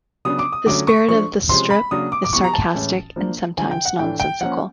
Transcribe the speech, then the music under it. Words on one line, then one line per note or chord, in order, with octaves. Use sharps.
The spirit of the strip is sarcastic, and sometimes nonsensical.
C#3 F#3 B3 D4 D#6
D6
D#6
D3 F#3 A3 C#4 D6
C#6
F3 A3 D4 C#6
C3 F3 G#3 C#4 C6
B5
C#3 F#3 A#3 D4 D#6
D6
D6
E3 G3 B3 C#6
A#5
A5
A2 E3 G#3 C#4
F3 A#3 D4
D3 F3 G#3 G#5
G5
F#5
A2 E3 A3 D4 G5
G5
F3 A#3 C#4 F#5